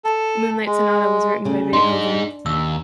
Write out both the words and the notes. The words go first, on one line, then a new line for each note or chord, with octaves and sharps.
"Moonlight Sonata" was written by Beethoven.
A4
G#3
D2 C#3 A3
D4 D#4 G#4 C6
D#2 E6